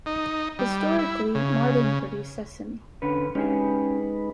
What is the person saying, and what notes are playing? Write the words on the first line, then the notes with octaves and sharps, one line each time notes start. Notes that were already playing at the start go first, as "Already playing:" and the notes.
Historically, Mardin produced sesame.
D#4
G3
E4
C#3
D3 C#4 B4
G#3 C#4 D#4 G4 G#4 B4